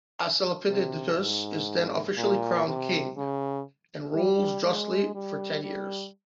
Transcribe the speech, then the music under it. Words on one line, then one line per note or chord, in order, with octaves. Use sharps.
Asclepiodotus is then officially crowned king, and rules justly for ten years.
C3
G#2
A#2
C3
C#3
G3
G#3
G3
G3